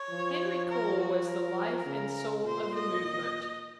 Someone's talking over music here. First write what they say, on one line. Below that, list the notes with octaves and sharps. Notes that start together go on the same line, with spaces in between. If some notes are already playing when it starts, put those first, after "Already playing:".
Henry Cole was the life and soul of the movement.
Already playing: C#5
F3
A#4
F#4
A#4
C#3
A#2 C5
D#5